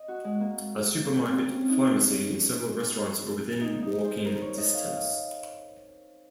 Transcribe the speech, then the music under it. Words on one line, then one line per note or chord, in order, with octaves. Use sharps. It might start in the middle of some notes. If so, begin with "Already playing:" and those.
A supermarket, pharmacy, and several restaurants are within walking distance.
Already playing: D#5
F#4
G#3
A#3
A#3
C4
C#4
D#4
C#4
C#4
D#4
D#4
C5
A#4
C#5
D#5
F5